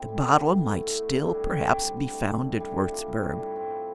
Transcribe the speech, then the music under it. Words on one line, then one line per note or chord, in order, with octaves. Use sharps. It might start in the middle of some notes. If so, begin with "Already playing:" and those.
The bottle might still perhaps be found at Wurzburg.
Already playing: C4 E4 A4
G3
B3
E4
A4
A2
E3
A3
D4
G3
C4
G4
G3
D3
A3
E4
D3
G3
D4
F4
G3
A2
G3
C4
F4